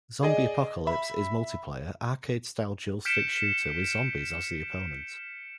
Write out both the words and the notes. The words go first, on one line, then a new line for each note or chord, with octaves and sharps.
"Zombie Apocalypse" is multiplayer, arcade style dual stick shooter with zombies as the opponent.
G#4 D5 D#5
E5 B5
F6 G6 B6 C#7 D7 E7